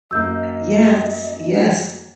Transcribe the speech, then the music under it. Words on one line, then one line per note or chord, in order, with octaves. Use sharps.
Yes, yes.
F#2 A#3 D#5 E6 G6